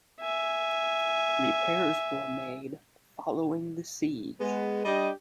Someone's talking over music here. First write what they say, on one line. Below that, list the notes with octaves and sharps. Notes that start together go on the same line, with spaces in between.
Repairs were made following the siege.
E5 G#5
G#3 B3
G3 D4 G4 D#5